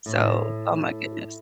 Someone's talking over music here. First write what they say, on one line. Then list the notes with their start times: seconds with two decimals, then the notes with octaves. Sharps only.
So Oh my goodness.
0.06 A2